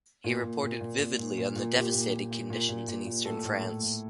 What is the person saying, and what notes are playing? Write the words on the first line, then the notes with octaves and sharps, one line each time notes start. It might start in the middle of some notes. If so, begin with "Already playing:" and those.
He reported vividly on the devastated conditions in eastern France.
A#2
A#2
A#2
A#2
A#2
A#2
A#2
A#2
A#2 G4
A#2
A#2
A#2
A#2
A#2
A#2
A#2
A2 A4
A2
A2
A2